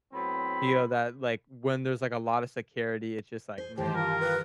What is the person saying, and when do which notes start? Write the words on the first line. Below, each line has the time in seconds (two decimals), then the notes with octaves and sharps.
feel that, like, when there's, like, a lotta security, it's just like, "Man,
0.13 A2 F#3 B3 C4 B5
3.58 G#4 C5
3.77 G2 D#3 E3 G4 C5 A5
3.95 F4 G4 A#4
4.20 B4